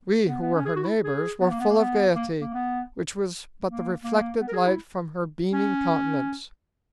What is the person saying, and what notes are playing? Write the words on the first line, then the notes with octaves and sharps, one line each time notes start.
We who were her neighbors were full of gayety, which was but the reflected light from her beaming countenance.
B3
B3
C#4
G#4
F#4
E4
G#4
B3
A#3
B3
A#3
B3
A#3
A#3
B3
A#3
A#3
B3
A#4
G#4
E4
C#4